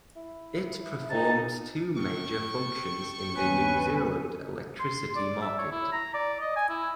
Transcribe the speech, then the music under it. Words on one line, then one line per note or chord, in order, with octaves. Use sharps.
It performs two major functions in the New Zealand electricity market.
E4
G#2 D#4 A5
A4 G5 C#6
D#2 B3 C#4 B4 G#5
C6
D5
E5
C#5
E4
A#5
D5
D#5
G#5
E4